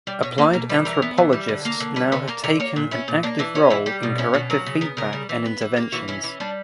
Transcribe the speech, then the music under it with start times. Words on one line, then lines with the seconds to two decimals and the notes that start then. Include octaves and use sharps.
Applied anthropologists now have taken an active role in corrective feedback and interventions.
0.07 G3 D5
0.23 B2 C#5
0.38 A#3 B4
0.53 B2 A#4
0.69 G3 B4
0.85 E3 A#4
1.02 B3
1.18 E3
1.33 G3
1.49 D3
1.65 A#3 A#4
1.80 D3
1.96 G3 B4
2.12 D3 B4
2.28 A#3 A#4
2.44 D3 A#4
2.60 A#3 C#5
2.76 A#2
2.91 C#4 E4
3.08 A#2
3.23 A#3 D4
3.39 E3 D4
3.55 C#4 F#4
3.70 E3 E4
3.86 G3 G4
4.03 B2
4.18 C#4 E4
4.34 B2 F#4
4.50 F#3 A#4
4.66 C#3
4.81 B3 A#4
4.97 C#3 A#4
5.13 G3
5.29 E3
5.46 B3
5.61 E3
5.76 A#3 G4
5.92 E3 F#4
6.08 C#4 E4
6.23 E3 E4
6.40 G3 D4